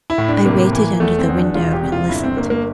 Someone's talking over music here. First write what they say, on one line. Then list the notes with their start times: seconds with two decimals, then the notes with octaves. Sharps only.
I waited under the window and listened.
0.10 E4
0.18 A2
0.28 D4
0.45 C3 A#3
0.73 E3
1.00 E2 A3
1.19 C4
1.28 E2
1.37 D4
1.55 E1 F4
1.73 G4
1.83 C3
1.92 F4
2.09 G1 E4
2.23 C4
2.37 G1 A#3
2.50 A#3